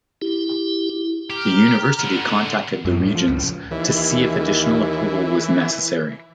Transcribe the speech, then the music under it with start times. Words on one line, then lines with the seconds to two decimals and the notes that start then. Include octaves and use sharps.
The university contacted the Regents to see if additional approval was necessary.
0.22 E4 G4
1.30 G4 A#5 F6
1.99 D3 B3
2.85 F#2
2.99 A2
3.15 F3
3.29 C#2
3.71 D#2 E3